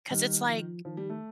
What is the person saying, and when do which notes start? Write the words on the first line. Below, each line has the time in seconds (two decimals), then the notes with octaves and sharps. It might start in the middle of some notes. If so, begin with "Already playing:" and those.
'cause it's like
0.11 D#3 G3
0.48 F3
0.85 D#3 F3
0.97 G3
1.10 A3